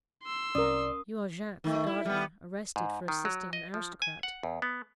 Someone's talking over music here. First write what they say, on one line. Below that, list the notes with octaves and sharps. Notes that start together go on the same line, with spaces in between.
'You are Jacques, the gardener, arrested for assisting an aristocrat.
C6 E6
C2 C#4 A#4 D5 D#6
D#3 A3
E4
G3 B3
G#2
D#3
F#3
D#5
F3
G#5
F#5
E2
B3